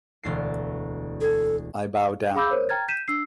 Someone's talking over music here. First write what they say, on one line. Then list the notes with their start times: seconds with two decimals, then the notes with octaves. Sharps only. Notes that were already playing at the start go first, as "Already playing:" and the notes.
I bow down"".
0.23 E1 D2 C7
1.21 G#4 A4 G#6
2.35 G#4 F5 B5 D6 E6 G6
2.51 A#4 C5 C#5
2.69 G5 A#5 F6 G#6 A6
2.88 G6 B6 D#7 E7
3.08 D4 E6 C7